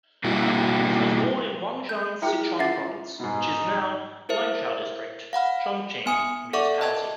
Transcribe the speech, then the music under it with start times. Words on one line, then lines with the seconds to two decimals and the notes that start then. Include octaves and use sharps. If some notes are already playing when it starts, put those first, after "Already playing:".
He was born in Wanxian, Sichuan Province, which is now Wanzhou District, Chongqing Municipality.
0.24 B2 G3 A#3 D#4 E4 F#4
1.89 G6
2.22 E4 F4 G#4 A#4 E5 G5
2.59 C#4 F4 E5 F#5 A6
3.19 G#2 B2 D#4
4.29 E4 A#4 C5 E5
5.33 F5 F#5 B5 F6
6.06 B3 G#5 D#6 C#7
6.53 A4 D5 E5 F#5 C#6 D6
6.81 D#5 A5 G#6